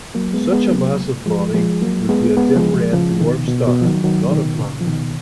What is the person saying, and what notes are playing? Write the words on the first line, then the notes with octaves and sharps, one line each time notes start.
Such a massive body would be a dim red dwarf star, not a planet.
F#3 A#3
G#3 B3
G#3 B3
F#3 A#3
F3 G#3
F3 G#3
F#3 A#3
G#3 B3
G#3 B3
F3 G#3
F3 G#3
C#3 F3
B2 D#3
B2
B2
F3
D#3 F#3
D#3 F#3
B2 D#3
A#2 C#3
F3
B2 D#3